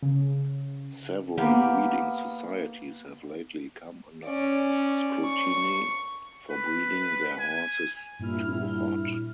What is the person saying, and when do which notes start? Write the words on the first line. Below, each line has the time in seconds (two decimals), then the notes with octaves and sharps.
Several breeding societies have lately come under scrutiny for breeding their horses too "hot".
0.02 C#3
1.38 A#3 B3 G4
4.27 C#4 D5
5.26 C#6
6.50 B4
7.40 G#5
8.19 G2 A#2 E4 F6